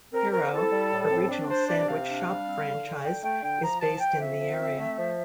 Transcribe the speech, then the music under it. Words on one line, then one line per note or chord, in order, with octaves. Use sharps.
Hero, a regional sandwich shop franchise, is based in the area.
C4 A#4
C4 A#4
E4 A4
G3
A2
C4
D4
D4 C5
C3 D5
C3 F5
D4
G3
C4
D3
D3
D3 G5
A3 G5
D3 G5
F3 A#5
F3 A5
F3 G5
C4 E5
F3
C4
A3
F3